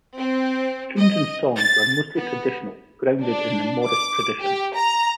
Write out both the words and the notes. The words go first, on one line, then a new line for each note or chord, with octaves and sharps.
The tunes and songs were mostly traditional, grounded in the Morris tradition.
C4
D#5
A6
B3
D4
D6
G4
A#5